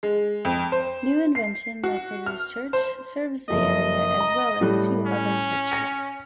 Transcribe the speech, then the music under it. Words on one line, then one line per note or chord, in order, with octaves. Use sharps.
New Invention Methodist Church serves the area as well as two other churches.
G#3
F2
C5
C7
F#4
F6
C5
F#1 F2 D#5
A#5
A2 G3 F#6
C#4
A#6 C#7